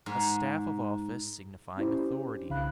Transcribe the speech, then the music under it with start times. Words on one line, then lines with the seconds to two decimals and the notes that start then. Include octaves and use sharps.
A staff of office signifying authority.
0.06 G#2
1.77 C#4 D4 E4 G4 C5
2.49 C2 C#3 F5 B5 F#6